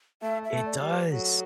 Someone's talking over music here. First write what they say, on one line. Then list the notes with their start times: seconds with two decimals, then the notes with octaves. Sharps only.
It does.
0.22 A3 E5
0.44 E5
0.52 A3
0.66 D5
0.81 G3
0.88 B4
1.10 F#3 A4